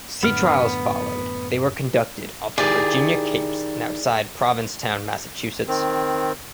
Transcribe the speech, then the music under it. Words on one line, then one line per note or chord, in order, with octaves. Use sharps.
Sea trials followed; they were conducted off the Virginia Capes and outside Provincetown, Massachusetts.
F#2 A2 D3 B3 F6
D#3 E4 G4 G#4 D5
D#3 C4